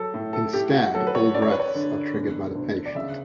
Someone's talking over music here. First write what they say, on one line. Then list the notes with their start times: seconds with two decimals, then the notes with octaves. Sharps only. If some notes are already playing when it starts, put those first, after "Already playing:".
Instead, all breaths are triggered by the patient.
Already playing: F#3 A4
0.14 A2
0.33 A4
0.53 A2 G4
0.73 F#4
0.94 F#3 A4
1.07 B4
1.15 C#5
1.34 F#2 D5
1.42 C#5
1.51 B4
1.60 C#5
1.75 D3
2.15 E1
2.55 D2
2.86 D5
2.95 C#3 E5